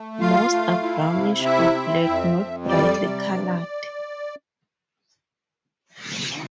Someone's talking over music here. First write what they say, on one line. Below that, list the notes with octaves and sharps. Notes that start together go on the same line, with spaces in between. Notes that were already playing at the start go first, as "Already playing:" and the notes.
Most are brownish or black, not brightly colored.
Already playing: A3
F4 F5
A3
E4
C3
E4 E5
C4
F2
F2
G3 D5
C3
G2